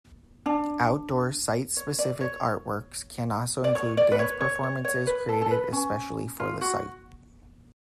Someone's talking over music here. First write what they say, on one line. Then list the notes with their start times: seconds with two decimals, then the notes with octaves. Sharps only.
Outdoor site-specific artworks can also include dance performances created especially for the site.
0.46 D4
1.77 C#5
1.99 D5
2.21 C#5
3.64 D5
3.75 C#5
3.97 D5
4.12 B4
4.19 C#5
4.41 C#5
4.63 C#5
4.85 C#5
5.07 B4
5.29 A4
5.42 A4
5.51 B4
5.72 C#4
6.40 F4
6.61 F#4